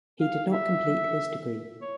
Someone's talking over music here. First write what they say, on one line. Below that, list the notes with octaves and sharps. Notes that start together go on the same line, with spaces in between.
He did not complete his degree.
F5
E5
C#5